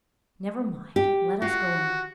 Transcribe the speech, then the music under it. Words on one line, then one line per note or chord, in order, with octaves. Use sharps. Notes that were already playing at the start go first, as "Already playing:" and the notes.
"Never mind; let us go on."
G4
F4 F#4